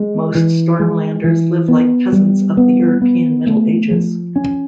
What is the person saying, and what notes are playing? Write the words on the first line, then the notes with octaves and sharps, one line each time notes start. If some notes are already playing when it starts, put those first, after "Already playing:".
Most Stormlanders live like peasants of the European Middle Ages.
Already playing: G#3
E3
G#3
E3
B3
G3
B3
B3
A3
F3
C#4